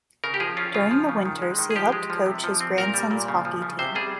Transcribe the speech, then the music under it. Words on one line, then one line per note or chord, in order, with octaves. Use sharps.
During the winters he helped coach his grandson's hockey team.
C#3 A#4
G4
F3 G#4
C#4 F4
C#3 F4
F3
C#3
D#3
G#3
D#3
G#4
F3 G4
G#3
F3
C3
F3
C4
A#2 A#4
G3
A#2
C#3
F3
C#3
C3 C5
G3 G#4